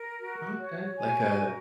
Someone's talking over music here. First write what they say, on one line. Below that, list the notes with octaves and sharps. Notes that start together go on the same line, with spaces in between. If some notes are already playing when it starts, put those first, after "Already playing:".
Okay, like a
Already playing: A#4
F#4
C#5
F#4 G#5
A#4